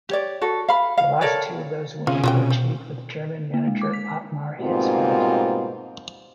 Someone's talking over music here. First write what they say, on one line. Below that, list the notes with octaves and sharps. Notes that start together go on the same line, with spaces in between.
The last two of those wins were achieved with German manager Ottmar Hitzfeld.
G4 C#5 D5
F#4 A4
F5 B5
F5
A4 A#4 C#5 D5
C3 C#4 F4 G#4
B2 F4 F#4 G5
F3
A#3
G#3
D6
B6
G#2 B2 G3 A#3 C4 F4